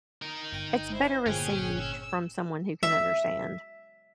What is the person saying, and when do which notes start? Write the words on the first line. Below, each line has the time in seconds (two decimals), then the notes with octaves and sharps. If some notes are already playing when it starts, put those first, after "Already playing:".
it's better received from someone who can understand.
0.22 D#4 A#4
0.52 G1 G5 A#6
0.92 E4 C5
1.26 G1 A#2 C#4 G#4 G5 F#6
1.78 E6
2.83 E5